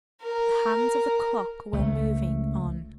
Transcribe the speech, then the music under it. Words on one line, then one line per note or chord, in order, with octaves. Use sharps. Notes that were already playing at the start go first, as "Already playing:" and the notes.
The hands of the clock were moving on.
A#4
C#2 A3